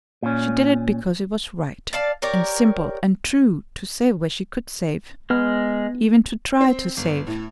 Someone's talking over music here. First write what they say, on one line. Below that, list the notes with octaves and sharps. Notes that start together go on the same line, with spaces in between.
She did it because it was right, and simple, and true to save where she could save; even to try to save.
A#2 C#4
D5 F5 A5
G4 A#4 C#5 D5
G#3 B3 F6
C4
G1
A2